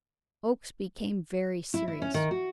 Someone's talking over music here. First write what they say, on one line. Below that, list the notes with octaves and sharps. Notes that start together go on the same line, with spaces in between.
Oakes became very serious.
E4
E4
C#4
D#3
F#4